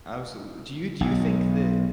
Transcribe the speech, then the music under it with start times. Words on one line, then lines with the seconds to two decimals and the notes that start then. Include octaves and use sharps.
Absolutely. Do you do you think that
1.01 B1